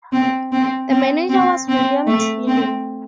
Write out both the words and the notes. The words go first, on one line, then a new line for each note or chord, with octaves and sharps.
The manager was William Tiley.
C4
C4
C4
C4
C4
A3
C4